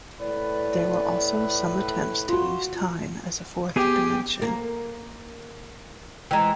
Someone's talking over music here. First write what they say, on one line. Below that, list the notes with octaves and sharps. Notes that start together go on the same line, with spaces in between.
There were also some attempts to use time as a fourth dimension.
A2 B4 D5
F4 F#4 C6
B3 G4 G#4
A#3
E3 G#3 G5 A#5